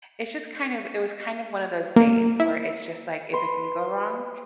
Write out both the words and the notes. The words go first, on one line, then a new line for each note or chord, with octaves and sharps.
it's just kind of it was kind of one of those days where it's just like, if it can go wrong,
A#3
E4
B4 C6